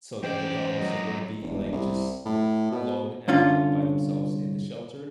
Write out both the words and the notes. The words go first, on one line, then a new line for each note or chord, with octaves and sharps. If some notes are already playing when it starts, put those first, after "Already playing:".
so that the dogs wouldn't be, like, just, you know, alone and by themselves in the shelter,
F#2 E3 C#4 C5 D5 G5
F#3 D#5
E1
C2
A2
B2
C2 D3 C#4 F4